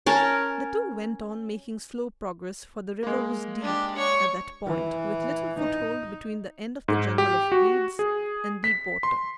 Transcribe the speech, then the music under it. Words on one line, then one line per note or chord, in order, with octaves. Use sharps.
The two went on, making slow progress, for the river was deep at that point, with little foothold between the end of the jungle of reeds and deep water.
C#4 A#4 A5
G#3 A#3
D4 G4
C#5 C#6
E3
D#4
G#2
G4
F#4
G#4
B6
C6